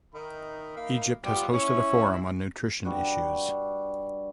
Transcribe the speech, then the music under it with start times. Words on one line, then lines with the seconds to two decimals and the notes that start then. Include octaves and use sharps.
Egypt has hosted a Forum on nutrition issues.
0.15 D#3 D#4 E5 B5
0.77 A#3
1.24 G3 B3 F4 G4
1.53 C#4 E4 C#6
2.85 G2 G3 F#4 F#5